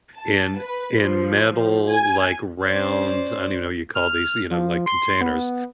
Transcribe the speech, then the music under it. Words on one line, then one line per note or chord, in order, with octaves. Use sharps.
in in metal, like, round- I don't even know what you call these- you know, like, containers,
A5
B4
F3
F3
G#5
C#4 C5 D5
F6
F3
C6
B3